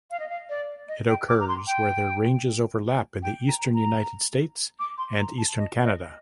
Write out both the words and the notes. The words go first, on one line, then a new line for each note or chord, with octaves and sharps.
It occurs where their ranges overlap in the eastern United States and eastern Canada.
F5
D#5
F5
D5
D#5
G5
D6
A#5
C6
G5
G5
A#5
A#5
D6
C6
A#5
A5
D#5
D#5